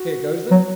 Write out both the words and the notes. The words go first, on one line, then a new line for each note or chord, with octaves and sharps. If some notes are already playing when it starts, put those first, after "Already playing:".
Here goes then ...
Already playing: F#4
F#3